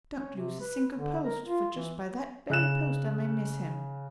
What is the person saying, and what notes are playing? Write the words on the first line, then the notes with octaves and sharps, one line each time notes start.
Don't lose a single post; for just by that very post I may miss him.'
C#4
C3
B4
D3
A#4
F4
E3
C#3 F#6 E7